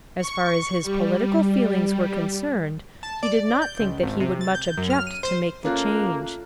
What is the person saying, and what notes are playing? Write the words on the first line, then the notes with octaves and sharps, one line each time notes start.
As far as his political feelings were concerned he did not think that he would much object to make the change.
C#6
G3
A5
D5
G6
C#2
G#1
C3
A6
G6
F#2
F6
D#7
C5
A3 A#3 C#4 F4 F#6